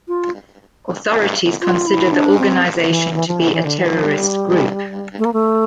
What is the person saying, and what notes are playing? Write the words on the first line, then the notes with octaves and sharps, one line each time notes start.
Authorities consider the organization to be a terrorist group.
F4
F4
E4
D4
C4
E3
E3
F3
E3
E3
D3
E3
F3
G3
A3
A#3
A3